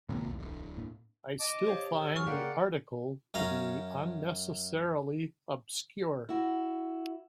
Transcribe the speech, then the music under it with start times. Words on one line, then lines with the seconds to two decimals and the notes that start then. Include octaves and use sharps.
I still find the article to be unnecessarily obscure.
0.09 G#1 A2 C3 D#3 G#3 A#3
0.25 B1 E2
0.39 D1
0.77 A2 A#3 D4
1.40 D#5 A5 D6
1.67 G4 C5 C#5 F5
1.99 A4
2.15 F#3 C#4 G4 G#5 C#6 F6
2.27 C#3 A#3 G4 G#4 D5 F5 F#5
3.34 F#2 C#4 F5 A#5
6.29 E4 F#4